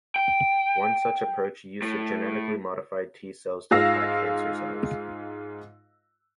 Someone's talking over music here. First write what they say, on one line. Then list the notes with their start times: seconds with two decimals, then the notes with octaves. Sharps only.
One such approach used genetically modified T cells to attack cancer cells.
0.16 G5
1.82 A2
3.71 G#2 F4 F5 E6 A#6